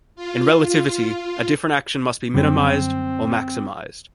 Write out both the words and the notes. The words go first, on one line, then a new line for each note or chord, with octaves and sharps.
In relativity, a different action must be minimized or maximized.
F4
F4
F#2 D3 G3 C4